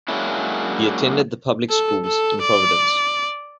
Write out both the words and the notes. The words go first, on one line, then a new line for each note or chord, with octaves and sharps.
He attended the public schools in Providence.
F#3 G#3 A#3 C#4 D4 E4
A4
A4
D5